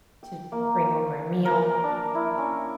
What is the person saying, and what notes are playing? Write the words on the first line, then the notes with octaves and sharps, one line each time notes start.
to bring over a meal,
G5
A#3
A#4
D4
E4
C#4